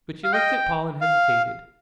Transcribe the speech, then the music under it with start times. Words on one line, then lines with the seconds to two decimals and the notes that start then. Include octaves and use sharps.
But she looked at Paul and hesitated.
0.24 F5
0.33 D#5 G5
1.01 F5